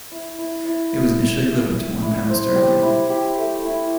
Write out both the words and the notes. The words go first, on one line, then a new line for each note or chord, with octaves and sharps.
It was initially equivalent to one pound sterling.
E4
E4
E4
E4
E5
E5
E5
E4
C5
G4
E4
G4
A3
E4